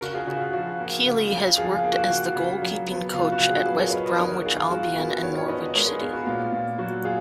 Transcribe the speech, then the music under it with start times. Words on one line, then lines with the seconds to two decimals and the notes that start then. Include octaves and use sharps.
Kiely has worked as the goalkeeping coach at West Bromwich Albion and Norwich City.
0.01 C#3 F#4 A#4
0.14 F4 G#4
0.27 C#3 F#4
0.41 F4
0.53 F3 F#4
0.80 A#3
1.06 C#3
1.32 C#3
1.57 F3 F4 G#4
1.75 F4
1.84 A#3
1.92 F#4
2.09 C#3 F#4
2.35 C#3
2.62 F#3
2.88 B3
3.14 C#3 F4
3.32 F#4
3.40 C#3
3.49 F4 G#4
3.66 F#3 G#4 B4
3.79 A#4 C#5
3.92 B3 B4 D#5
4.05 B4 D#5
4.18 D#3 A#4 C#5
4.32 F#4 A#4
4.44 D#3 F4 G#4
4.57 F4
4.70 G#3 F#4
4.96 B3 F#4 A#4
5.22 D#3 A#4 C#5
5.38 C#5
5.48 D#3 B4 D#5
5.66 D#5
5.74 G#3 A#4 C#5
5.87 G#4 B4
6.00 B3 F4 G#4
6.13 F#4
6.27 A#2 F4
6.53 A#2
6.78 F#3 F#4
7.04 F4 G#4